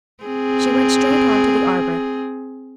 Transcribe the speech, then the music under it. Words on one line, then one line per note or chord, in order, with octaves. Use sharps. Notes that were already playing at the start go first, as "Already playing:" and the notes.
She went straight on to the arbor.
C4 G#4